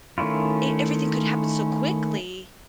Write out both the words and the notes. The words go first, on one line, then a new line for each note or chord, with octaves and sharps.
E everything could happen so quickly
D#3 A3 C#4 E4 F4